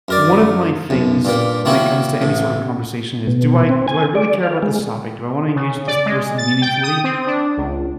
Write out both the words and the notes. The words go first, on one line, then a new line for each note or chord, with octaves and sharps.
One of my things when it comes to any sort of conversation is, do I do I really care about this topic? Do I wanna engage with this person meaningfully?
F#2 A#4 D5
B1 F#2
G2 A#2 A#3
D#3 A#3 C#4 E4 F#4
A1 A2
B2
C4
G#5
D5
F5
G#3
C#3
D5
G#3
A6
G5
D#6
C4
D4
C#2